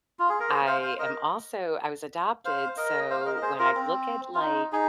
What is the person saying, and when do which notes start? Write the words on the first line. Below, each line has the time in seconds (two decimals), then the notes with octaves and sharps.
I am also I was adopted, so when I look at, like,
0.19 F4
0.29 G#4
0.40 A#4
0.49 G#4 C5
0.66 C5 F5
0.82 C5 F5
0.99 A#4 D#5
2.45 C5 F5
2.77 A#4 D#5
3.10 C5 F5
3.20 F5
3.26 A#4 D#5
3.36 D#5
3.42 G#4 C5
3.59 F4 A#4
3.75 C4
4.34 F4
4.40 D#4
4.72 D#4 G#4